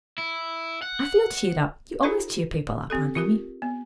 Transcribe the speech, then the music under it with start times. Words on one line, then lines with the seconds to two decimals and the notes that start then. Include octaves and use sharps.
I feel cheered up--you always cheer people up, Aunt Emmy.
0.18 E4
0.82 F#5
2.03 D#4 F4 G4 A4 C5 A#5
2.90 C4 G4 A4
3.15 F4 G4 A#4
3.62 B3